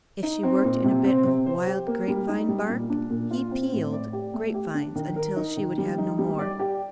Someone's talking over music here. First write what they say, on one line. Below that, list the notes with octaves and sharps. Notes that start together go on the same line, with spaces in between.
If she worked in a bit of wild grape-vine bark, he peeled grape-vines until she would have no more.
D#4
C4
A#2
C3
C4
C3
C5
G4
A#3
G3
D#4
G3
A#2
D4
A#2
F4
C4
A2
D5
G4
A3
G4
D4
D#3
A#4
D#4
D#3
G3
D#4
G3
D5
G4